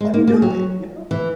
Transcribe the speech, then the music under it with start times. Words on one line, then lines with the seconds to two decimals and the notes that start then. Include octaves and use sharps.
"Let me do it, you know?"
0.01 G#3
0.14 A#3
0.27 A#3
0.42 F#3
1.11 E3